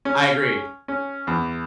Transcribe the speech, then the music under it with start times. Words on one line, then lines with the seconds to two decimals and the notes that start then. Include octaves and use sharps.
I agree,
0.05 C#4
0.88 C#4
1.27 E2